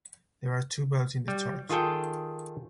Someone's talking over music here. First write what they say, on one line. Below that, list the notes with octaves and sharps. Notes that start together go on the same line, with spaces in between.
There are two bells in the church.
G3
D#3 F4 G#4 A4 G5